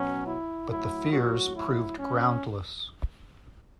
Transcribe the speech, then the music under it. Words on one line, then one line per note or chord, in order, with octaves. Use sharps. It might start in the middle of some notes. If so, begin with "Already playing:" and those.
But the fears proved groundless.
Already playing: B2 F#3 C#4
E4
A2 F#3 E4
F#4
E4
C#4